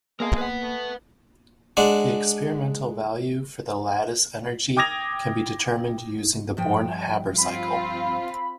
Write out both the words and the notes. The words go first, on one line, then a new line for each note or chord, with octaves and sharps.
The experimental value for the lattice energy can be determined using the Born-Haber cycle.
G#3 A#3 B3 G#4 A#4 F5 A5
B4 F#5
A3
G#3 D4 F#5
G5 D6 D#6 G#6 A#6 F7
G2 F3 G5
C4 F4 B5